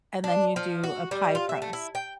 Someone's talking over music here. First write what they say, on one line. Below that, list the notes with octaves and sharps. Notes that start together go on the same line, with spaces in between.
and then you do a pie crust
D4
F3
F#4
G3
F4
E5
A3
E4
G5